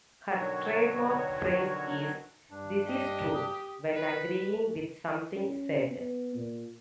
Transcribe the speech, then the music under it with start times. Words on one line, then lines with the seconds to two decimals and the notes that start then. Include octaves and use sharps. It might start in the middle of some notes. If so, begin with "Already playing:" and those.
Her trademark phrase is "This is true" when agreeing with something said.
0.32 B2 D3 D#3 F#3 F#4 C#5
2.51 G2 D4
2.86 G4 D#5
3.33 D#6
3.95 B4
5.36 C#4
5.90 B3
6.35 A#2